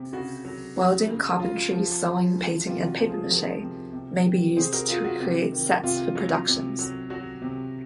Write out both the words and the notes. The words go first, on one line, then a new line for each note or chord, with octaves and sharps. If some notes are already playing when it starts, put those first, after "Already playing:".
Welding, carpentry, sewing, painting and paper-mache may be used to create sets for productions.
Already playing: C3
C#3 F#4
F#3
F#3
C#3
C#3 F4
F3
F3
C#3
C3 F4
F#4
F3
F4 G#4
F3 F#4 A#4
C3
C3
D#3
C3 G#4 C5
F#4 A#4
F#3 F4 G#4
F#4
C3
D#3
C3 F4
F#3
C3
F#3
F#3 F#4
C3